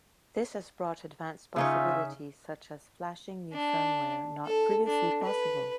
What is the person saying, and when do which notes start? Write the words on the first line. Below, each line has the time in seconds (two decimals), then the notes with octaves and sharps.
This has brought advanced possibilities such as flashing new firmware, not previously possible.
1.56 C#3 C#4 D#4 F4 C#5 E5
3.53 D4
4.46 A4
4.87 D4
5.23 B4